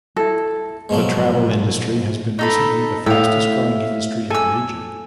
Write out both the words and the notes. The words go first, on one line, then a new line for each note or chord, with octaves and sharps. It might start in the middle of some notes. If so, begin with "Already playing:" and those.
The travel industry has been recently the fastest growing industry in the region.
E4 A4
G#2 B2 F3 F#3
D#4 A4 B5
A2 E5 F5
A4 G#5 E6